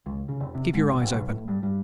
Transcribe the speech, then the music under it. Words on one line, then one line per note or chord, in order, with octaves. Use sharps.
Keep your eyes open.
C#2
C#3
F1
C3
G#2
B1
A1
B1
A2
G2
G2